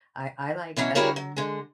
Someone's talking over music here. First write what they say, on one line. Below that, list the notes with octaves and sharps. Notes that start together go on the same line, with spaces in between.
I I like, um
B2 E3 F#3 C#4
G3 E4 F#4 G#4 A#4 C#5
F#3
D3 G#3